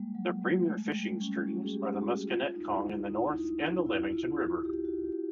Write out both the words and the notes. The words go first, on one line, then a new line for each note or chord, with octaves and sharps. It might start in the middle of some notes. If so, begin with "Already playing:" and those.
The premier fishing streams are the Musconetcong in the north and the Lamington River.
Already playing: G3 G#3 A#3
F#3
G3
A3
G#3
G3
C#4
F#4
G#4
G4
F#4
F4
D#4
E4
D#4
E4
D4
E4
F4
F#4
G4
F#4
G4